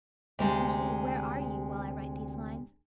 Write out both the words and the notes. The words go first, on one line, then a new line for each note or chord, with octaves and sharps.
And you, where are you, while I write these lines?
D2 C3 G#3